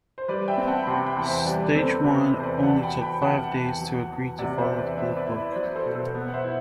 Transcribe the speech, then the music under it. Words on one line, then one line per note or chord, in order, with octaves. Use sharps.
Stage I only took five days to agree to follow the Blue Book.
C5
G3 B4 D5
E5 G5
C4
F#5 A5
B5
C3 A5 C6
G5 B5
E2
C5 E5
G3 B4 D5
B4
C4 A4 C5
C3 G4 B4
E2
C5
B4 D5
F#3 F#5 A5
G5 B5
E2
G5 B5
C3 F#5 A5
E2
F#3
E2
C3 D5 F#5
C5 E5
E2
B4 D5
B3 C5 E5
B4 D5
E4 E5
B4 D5
C5
F#3 B4 D5
A4 C5
B2
A4 C5
B3
F#5
C5 E5
E4